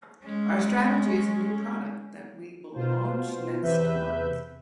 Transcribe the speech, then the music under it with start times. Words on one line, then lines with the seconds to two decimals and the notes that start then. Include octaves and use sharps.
Our strategy is a new product that we will launch next month.
0.24 G#3 C#4
2.74 B2 F4 C5
3.62 E2 C3 B4 E5 G6